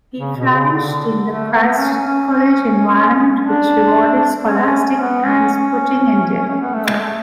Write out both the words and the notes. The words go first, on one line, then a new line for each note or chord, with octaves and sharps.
He flourished in the Christ College environment which rewarded scholastic and sporting endeavour.
C#3
B2
C#3
D3
A3
B3
C#4
C#4
C#4
D4
C#4
B3
C#4
B3
C#4
C#4
C#4
B3
A3
G#3
A3